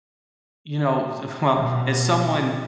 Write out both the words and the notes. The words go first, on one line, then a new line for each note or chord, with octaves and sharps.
you know, who's well, as someone
B2